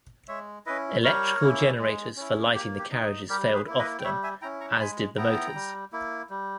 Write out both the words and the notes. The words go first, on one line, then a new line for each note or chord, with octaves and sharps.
Electrical generators for lighting the carriages failed often, as did the motors.
G#3 C#5 E5
C#4 E4 B4 D#5
G3 A#4 C#5
A#3 C#4 E4
G#3
C#4 E4
A#3 G4
G4
D#4
G3 G4 A#4
G#4 B4
A#3 E4
B4 D#5
G5
G3 C#5 E5
E5 G#5
C#4 E4 G5 A#5
A#5 C#6
G#3 G#5 B5
B3 E4 G5 A#5
G3
A#3 E4
G3